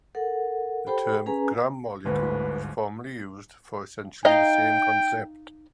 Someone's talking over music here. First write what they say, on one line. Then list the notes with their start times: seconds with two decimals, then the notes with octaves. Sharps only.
The term "gram-molecule" was formerly used for essentially the same concept.
0.15 A4 A#4 F#5
0.87 G4 A4 C5 G5 B5
1.26 C#4 G#4 B4 G#5 A#5
2.05 G1 D2 G#2 B4
4.25 D#4 D#5 F5 G5